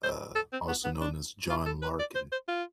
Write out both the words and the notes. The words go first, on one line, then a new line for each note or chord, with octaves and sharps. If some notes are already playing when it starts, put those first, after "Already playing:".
uh, also known as John Larkin.
C5
A4
C4
B3
B3
D4
F4
A4
B4
D5
C5
C5
F4